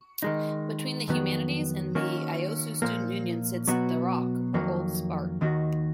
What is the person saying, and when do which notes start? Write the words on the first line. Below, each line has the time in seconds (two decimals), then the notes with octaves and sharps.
Between the Humanities and the Iosue Student Union sits The Rock or Old Spart.
0.23 D#3 G#3 D#4
1.08 F2 D#3 F#3 B3
1.95 D#3 A#3 C#4 F#4
2.82 A#2 F3 A#3
3.67 B2 F#3 B3 F#4
4.54 F2 D#3 F#3 A#3
5.41 D#2 D#3 A#3 D#4 F#4